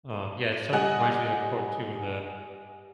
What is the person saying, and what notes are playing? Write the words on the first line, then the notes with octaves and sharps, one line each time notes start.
um Yeah, it sort of reminds you of the quote too, the
G3 D#5 F#5 G#5 F#6 F#7